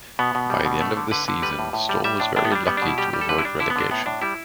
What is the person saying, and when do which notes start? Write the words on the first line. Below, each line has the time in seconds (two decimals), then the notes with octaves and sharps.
By the end of the season, Stal was very lucky to avoid relegation.
0.19 B2 B3
0.35 B2
0.50 G3
0.65 B2
0.81 A3
0.97 D3
1.11 D3 B4
1.28 D3
1.42 G3 B4
1.59 A2
1.73 A2
1.89 G3
2.04 G3 E5
2.20 A2 D4
2.36 A2 D4
2.45 B3
2.52 G3 D4
2.67 G3 B3
2.77 D4
2.82 B2
2.88 E4
2.98 G3 G4
3.14 G3
3.21 A4
3.29 D3 B4
3.38 E4
3.44 G3 D4
3.60 D3 E4
3.70 B3
3.76 D3 D4
3.91 A2 B3
4.06 A2 D4
4.21 G3 E4